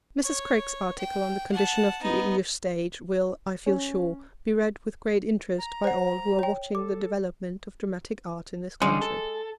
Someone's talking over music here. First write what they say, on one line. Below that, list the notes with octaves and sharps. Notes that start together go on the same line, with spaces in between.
Mrs. Craik's article on the condition of the English stage will, I feel sure, be read with great interest by all who are watching the development of dramatic art in this country.
C#5
G5
F#5 A5
B3 D#4
C#4
A#5
C5 F#5
C#5 G5
A4 D6
D3 G3 G#3 C#4
A4